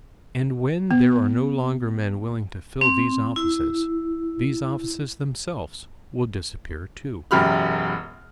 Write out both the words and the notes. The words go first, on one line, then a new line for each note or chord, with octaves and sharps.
And when there are no longer men willing to fill these offices, these offices themselves will disappear too.
B3
C4
E4
E1 F#2 G4 B5 F6